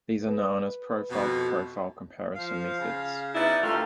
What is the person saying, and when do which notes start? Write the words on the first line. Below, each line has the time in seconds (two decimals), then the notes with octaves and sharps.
These are known as profile-profile comparison methods.
0.22 B4
1.10 F2 B2
2.35 F3 F5
2.80 C#3
3.35 B3 D#4 E4 D5 D#5
3.63 D2 A3 F4 G4 A4 A#4